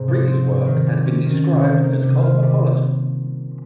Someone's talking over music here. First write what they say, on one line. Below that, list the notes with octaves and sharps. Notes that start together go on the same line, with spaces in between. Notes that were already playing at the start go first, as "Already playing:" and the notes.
Rie's work has been described as cosmopolitan.
Already playing: G#2 C3 G#3
F3
C4
G#2
D#3
G3
C#4
D#3
C3
D#3
A#3
C3
F4
G3